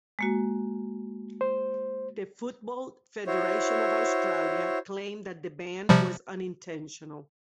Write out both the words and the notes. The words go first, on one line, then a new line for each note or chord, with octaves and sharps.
The Football Federation of Australia claimed that the ban was "unintentional".
G#3 A#3 F#4
C5
E4 F#4 C5 C#5
C3 F3 G3